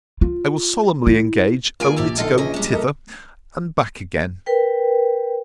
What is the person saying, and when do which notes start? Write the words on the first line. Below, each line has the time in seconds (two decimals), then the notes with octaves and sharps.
I will solemnly engage only to go thither, and back again.
0.21 F4
1.07 E4
1.80 G2 A#3 F4 G#4 G#5 D7
1.96 A#1 A#3 G4 D5 E6
2.18 D3 D#4 F4 A4
2.38 D3 E3 C#4 G#4 D#5
2.54 G3 G#3
2.73 A4 A#4 D#5
4.46 A#4 B4 G5